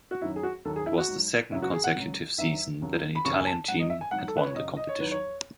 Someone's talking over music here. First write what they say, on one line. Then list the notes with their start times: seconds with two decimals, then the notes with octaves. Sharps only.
It was the second consecutive season that an Italian team had won the competition.
0.11 F#4
0.21 F#2 D#3 F#3 E4
0.36 G#4
0.43 F#4
0.65 D#2 D#3 F#3 A4
0.76 G#4
0.86 E4
0.98 F#4
1.08 G#2 F#3
1.52 E2 C#3 F#3 E4
1.62 F#4
1.73 G#4
1.84 F#5
1.95 C#2 C#3 F#3
2.38 E2 D#3 F#3 E5
2.82 D#2 C#3 F#3
3.15 B5
3.25 D#2 C#3 F#3 C#6
3.40 G#5
3.47 A5
3.68 G#2 F#3 F#5
3.79 D#5
3.90 E5
4.01 G#5
4.11 G#2 D#3 F#3 F#5
4.28 A4
4.37 B4
4.46 C#5
4.55 F#2 C#3 F#3 D#5
4.77 D#5
4.89 C#5
4.98 E2 D#3 F#3 B4
5.11 C#5